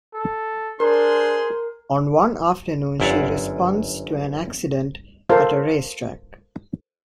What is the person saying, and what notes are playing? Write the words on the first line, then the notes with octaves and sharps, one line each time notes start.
On one afternoon, she responds to an accident at a racetrack.
A4
D4 G#4 A#4 C5 C6
G1 F#2 E4 D5 F5 F#5
F4 A4 A#4 C5 F5